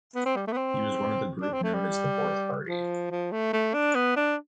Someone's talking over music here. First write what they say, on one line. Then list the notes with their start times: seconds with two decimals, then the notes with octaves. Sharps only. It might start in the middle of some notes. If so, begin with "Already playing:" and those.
He was one of the group known as the Fourth Party.
0.15 B3
0.26 C4
0.36 G3
0.47 A3
0.52 B3
0.57 C4
1.42 D4
1.53 C4
1.63 A3
1.74 G3
2.68 F3
3.11 F3
3.32 A3
3.53 A3
3.74 D4
3.95 B3
4.16 D4